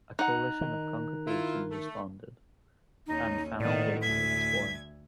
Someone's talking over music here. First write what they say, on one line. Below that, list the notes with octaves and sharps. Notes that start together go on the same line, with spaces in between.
A coalition of congregations responded, and Family Gateway was born.
D#4 F#5 A#5 F#6
D#3
E4 F4
A3
D#2 C#4 D#4
A2 D#3 B3 D5
D2 E5 G#6 B6